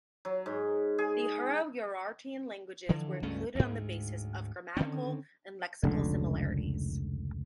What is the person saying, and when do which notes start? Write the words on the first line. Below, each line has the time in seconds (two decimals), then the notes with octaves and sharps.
The Hurro-Urartian languages were included on the basis of grammatical and lexical similarities.
0.25 F#3
0.46 G#2
0.98 G#4
2.89 D3 E3 F3
3.23 C#2 G2 A3 C#4
3.55 D2 G#2
4.77 D3 D#3 C4 C#4
5.83 F1 C#2 D3